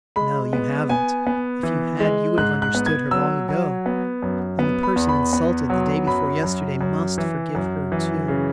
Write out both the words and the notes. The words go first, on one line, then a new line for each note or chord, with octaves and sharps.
No, you haven't; if you had, you'd have understood her long ago ... and the person insulted the day before yesterday must forgive her, too!
G#3 B5
B3
B3 G#5
B3
E3
G#3
G#2 F#6
F#6
B3
G#6
F#3 E6
F#3
B3
F#2
B3
B5
E2
B5
B3
F#3
F#2 B5
F#2
F#2
E3
F#2
E3
C#3